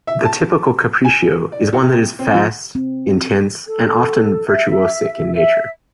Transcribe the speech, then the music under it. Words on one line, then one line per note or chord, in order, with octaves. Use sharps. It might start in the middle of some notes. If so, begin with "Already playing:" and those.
The typical capriccio is one that is fast, intense, and often virtuosic in nature.
E5
A5
G#5
D5
C3
C4
F3
C4
A4
E5
E5